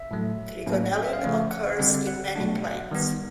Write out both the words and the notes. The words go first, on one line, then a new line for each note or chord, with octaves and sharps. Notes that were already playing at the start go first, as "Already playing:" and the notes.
Trigonelline occurs in many plants.
Already playing: E5
A2 F#3 A3
A2 F#3 A#3 C#4
D#5
E5
F5
C#3 F3 A3 C#4
F#5
D3 G3 C4
F#5
B2 F#3 A3 D4
F#5
D#3 G3 B3